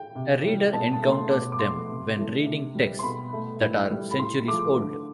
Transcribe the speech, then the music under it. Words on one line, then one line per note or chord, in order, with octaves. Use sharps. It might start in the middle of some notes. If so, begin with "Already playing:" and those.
A reader encounters them when reading texts that are centuries old.
Already playing: G5
C3
E3 G3
B2 A5
A5
A3
C6
B2 D6
D6
A3 C6
C3
E3 A3
C3
G3
C6
B2 B5
A3
A2
G3
B5
A2 C6
F3 A3 D6
D3